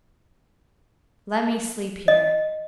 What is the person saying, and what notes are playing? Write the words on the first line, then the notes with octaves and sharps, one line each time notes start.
"Let me sleep here."
D#5